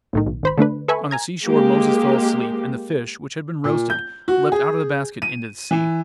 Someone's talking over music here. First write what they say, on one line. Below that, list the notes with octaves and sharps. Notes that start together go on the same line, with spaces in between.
On the seashore Moses fell asleep, and the fish, which had been roasted, leapt out of the basket into the sea.
B1 A2 D#3
B1
G#1 C5 B5
D3 A3 D4 B4
A4 B4 E5 G#5 B5 C#6
G#5 A#5 G#6
G#3 A#3 G4
A#2
G6
F#4
G#4
D#7
E3